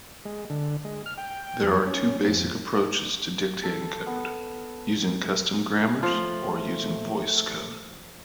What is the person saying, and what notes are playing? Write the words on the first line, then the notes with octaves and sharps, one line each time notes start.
There are two basic approaches to dictating code: using custom grammars or using VoiceCode.
G#3
D3
G#3
F6
G5
F2
C#4
F2
A4
B3
F3 A3 F4